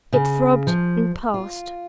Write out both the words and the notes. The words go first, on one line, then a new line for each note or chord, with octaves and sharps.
It throbbed--and passed.
C#3
F3
F4